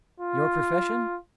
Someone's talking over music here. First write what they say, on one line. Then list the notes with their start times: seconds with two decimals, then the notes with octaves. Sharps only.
"Your profession?"
0.20 F4